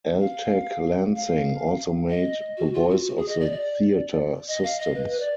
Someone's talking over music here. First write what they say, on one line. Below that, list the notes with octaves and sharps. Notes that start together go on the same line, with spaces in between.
Altec Lansing also made the Voice of the Theatre systems.
F5
F5
D#5
F#4
F4
F#4
F#4
G#4
D#5
D5
D5
D#5
F5
D#5
B4
B4
D5